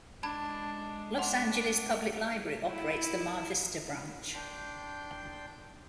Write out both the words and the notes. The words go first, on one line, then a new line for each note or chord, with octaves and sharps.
Los Angeles Public Library operates the Mar Vista Branch.
G#3 D4 A5 B5 G#6
D4 F#5 C6
E4
D4 G5 C6 G6